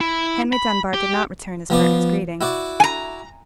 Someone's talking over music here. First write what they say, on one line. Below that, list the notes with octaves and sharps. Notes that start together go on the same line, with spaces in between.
Henry Dunbar did not return his partner's greeting.
E4
B5
G4
F3 B3 D5
E4 F#4 D5
G#5 A#5